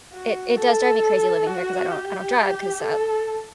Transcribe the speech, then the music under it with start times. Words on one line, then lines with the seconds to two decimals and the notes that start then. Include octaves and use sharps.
it it does drive me crazy living here 'cause I don't I don't drive 'cause, uh,
0.13 F#4
0.57 A4
1.46 F#4
1.90 G4
2.80 A4